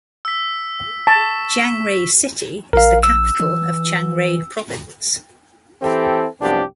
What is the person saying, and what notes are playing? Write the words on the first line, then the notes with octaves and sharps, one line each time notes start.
Chiang Rai City is the capital of Chiang Rai Province.
E6 B6
A5 C#6 B6
A#1 A#4 F5
E6
E3
E3 C4 E4 G4 A4
C2 F#2 F3 B3 D4 G4